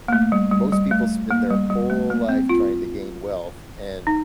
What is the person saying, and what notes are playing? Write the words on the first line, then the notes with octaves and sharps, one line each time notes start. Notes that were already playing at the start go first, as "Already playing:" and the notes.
Most people spend their whole life trying to gain wealth, and
A#3
A3
G3
G3
G3
A3
A#3
G3
G3
A3
A#3
C4
F4
D#4